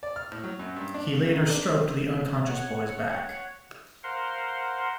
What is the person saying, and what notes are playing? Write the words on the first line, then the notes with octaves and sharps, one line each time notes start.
He later stroked the unconscious boy's back.
D5
F6
A2
F#3
F#2
G2
D4
C#3
D#3
D4
C#5 F#5
A#4 C5 F5 F#5 C6